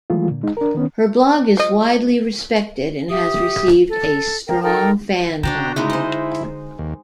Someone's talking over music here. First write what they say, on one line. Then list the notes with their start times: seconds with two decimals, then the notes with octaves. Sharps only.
Her blog is widely respected and has received a strong fan following.
0.10 D#3 E3 F#3 G#3 A3 F4
0.30 A#2 D3
0.43 G#3 D#4
0.57 D4 A#4
0.75 D#3 B3 C#4
1.57 F3 D#5
3.08 G4 E5 D#6
3.89 A4
4.48 A#4 G5
4.63 D#4 A4 A#4 G5
5.43 D3 D4 F#4 G5 A5 A#5
5.76 C#3 G#3 D#4 E4
5.90 C5 D#5
6.79 D#2